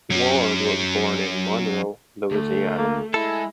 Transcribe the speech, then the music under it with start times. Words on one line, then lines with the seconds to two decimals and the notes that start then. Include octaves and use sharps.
Ward was born in Monroe, Louisiana.
0.10 F#3 C#4
2.31 D2 A3
2.77 A#3
3.14 G#3 E4 A4